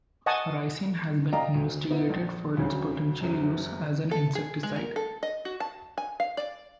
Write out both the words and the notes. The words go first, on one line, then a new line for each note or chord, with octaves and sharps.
Ricin has been investigated for its potential use as an insecticide.
D#5 F#5 G#5 A5 C#6 D#6
D5 D#5 F5 G5 A#5
D2
D#3 B3 D#4 E4
A#1
D2 C#3 F#3
F#1 F#2
A4
G#4
G#3
A#4
A4
D#5
F#4
A5
G#5
F5
D5